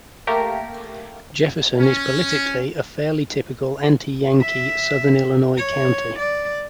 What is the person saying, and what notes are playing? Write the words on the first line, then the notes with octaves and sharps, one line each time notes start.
Jefferson is politically a fairly typical "anti-Yankee" Southern Illinois county.
A3 A#3 G4 A#4
C#4
E5
C#5
D5